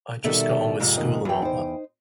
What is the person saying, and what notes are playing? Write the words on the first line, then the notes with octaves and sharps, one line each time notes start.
I just got on with school and all that.
B2 D#3 G3 A4 D5 E5
F2 G#2 C3
D#2 D#3 D#5
E2 F#3 B4 G5
D#4 C5